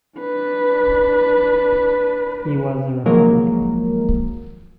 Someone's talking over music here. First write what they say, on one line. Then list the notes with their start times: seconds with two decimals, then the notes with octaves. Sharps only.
He was a Republican.
0.18 D4 B4
3.06 D#3 F3 F#3 G#3 A#3 A#4